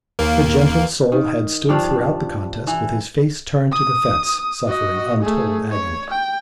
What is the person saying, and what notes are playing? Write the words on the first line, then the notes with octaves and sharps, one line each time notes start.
The gentle soul had stood throughout the contest with his face turned to the fence, suffering untold agony.
D#2 A#3
D#3
G2 F3 D4 F5
E3
D#6
F#4 D#5
A3 G#4
C#5
G5